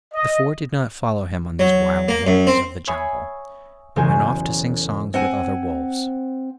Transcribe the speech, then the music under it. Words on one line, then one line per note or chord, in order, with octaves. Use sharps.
The Four did not follow him on these wild ringings of the Jungle, but went off to sing songs with other wolves.
D#5
F#3
A#3
F#2
C4
C#5 E5 G#5 B5 D#6 C7
E1 C#3 F#3 C#4 C5 G#5
C4 F#5 G#5